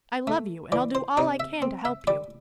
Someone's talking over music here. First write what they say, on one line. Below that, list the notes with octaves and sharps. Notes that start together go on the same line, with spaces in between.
I love you, and I'll do all I can to help you.
A3
E3 D5
C5
C3 D5
E5
C4
E5
G3 D5